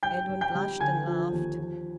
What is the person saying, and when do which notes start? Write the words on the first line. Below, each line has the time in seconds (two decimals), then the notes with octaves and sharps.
Edwin blushed and laughed.
0.03 G2 G5 G6
0.29 G2
0.41 G5 G6
0.55 G3
0.80 D3 G#5 G#6
1.07 F3
1.32 D#2
1.58 F3